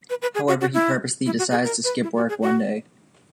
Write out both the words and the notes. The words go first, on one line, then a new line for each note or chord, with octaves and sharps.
However, he purposely decides to skip work one day.
B4
B4
G#4
F#4
F#4
E4
E4
F#4
G#4
A#4
B4
E4
F#4
G#4
F#4